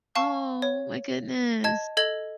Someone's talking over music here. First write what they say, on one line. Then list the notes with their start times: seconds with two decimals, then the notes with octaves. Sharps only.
Oh my goodness.
0.16 F5 A5 C#6
0.62 C#5
1.64 D#5 A5 G#6
1.97 A4 D#5 G#6 F#7